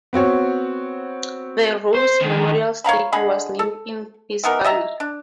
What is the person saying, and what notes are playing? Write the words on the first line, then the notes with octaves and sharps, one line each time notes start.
The Rous Memorial Stakes was named in his honour.
B3 C4 F#4 C#5
C5
D3 D#3
C#5 F5 A#5 B5
D3 G#3 G#4 B5
A4
E3 B3 D#4 A#4
D#5 E5 A#5
D4